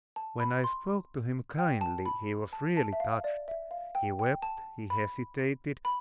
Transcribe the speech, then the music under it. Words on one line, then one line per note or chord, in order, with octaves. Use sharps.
When I spoke to him kindly he was really touched; he wept, he hesitated.
A5
B5
C6
G5
A5
B5
A5
A5
E5
F5
D5
E5
F5
G5
G5
A5
B5
B5